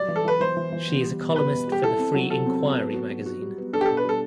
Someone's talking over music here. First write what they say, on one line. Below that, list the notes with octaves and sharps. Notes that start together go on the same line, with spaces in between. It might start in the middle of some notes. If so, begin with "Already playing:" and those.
She is a columnist for "Free Inquiry" magazine.
Already playing: F#3 G3 D5
E3
A4
E3 B4
E3 C5
E3
E3
B3
G3
B2
B3 B4
B2
G3 G4
E4 A4
C4
F#3
C3 A4
C4
F#3
B3
F#4
F#4
F#4
G3
B3
D4 A4
G4
A4
B2
B4
G3 A4